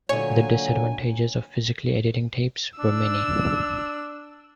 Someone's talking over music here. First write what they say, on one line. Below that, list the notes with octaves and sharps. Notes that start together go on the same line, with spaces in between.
The disadvantages of physically editing tapes were many.
A#2 D3 F#3 C#5 G#5
D4 E6